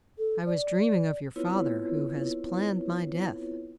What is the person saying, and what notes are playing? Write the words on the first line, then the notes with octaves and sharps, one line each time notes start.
'I was dreaming of your father, who has planned my death.'
A4
D5
B3 C4 E4 F4 B4 C#5